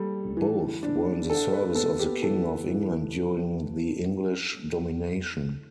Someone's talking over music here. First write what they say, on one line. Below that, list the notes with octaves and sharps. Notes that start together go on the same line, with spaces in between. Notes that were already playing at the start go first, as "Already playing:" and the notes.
Both were in the service of the king of England during the English domination.
Already playing: G3 A4
E3
D4
D4 A4
B4
B3 A4
G4
E3 A4
E3